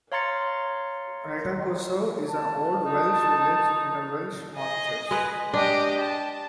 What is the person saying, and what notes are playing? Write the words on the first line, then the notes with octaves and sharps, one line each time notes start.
Rhydycroesau is an old Welsh village in the Welsh Marches.
C#5 F5 A#5 C6 A6 C#7
A5
D#4
G#4 D#5
G#3 B4
D4 G4 D#5
A5